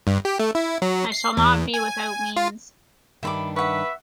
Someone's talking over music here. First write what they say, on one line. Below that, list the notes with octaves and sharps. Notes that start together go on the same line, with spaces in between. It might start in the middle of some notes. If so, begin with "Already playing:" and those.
I shall not be without means.
G2
G4
A3
E4
F#3
C7
E2
G#5
F4
G2 D#3 D4 E5 B5 D6
B4 E5 F#5 C#6